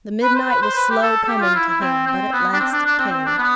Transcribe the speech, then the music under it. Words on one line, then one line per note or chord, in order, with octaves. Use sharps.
The midnight was slow coming to him; but at last it came.
B4
C5
B4
C5
B4
G4
A4
A4
G4
F4
E4
E4
C4
C4
B3
D4
C4
D4
D4
C4
C4
D4
B3